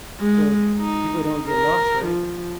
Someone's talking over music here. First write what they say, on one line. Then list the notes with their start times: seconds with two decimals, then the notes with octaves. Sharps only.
So, people don't get lost, right?
0.20 G#3
0.79 D#4
1.48 A#4
2.05 F3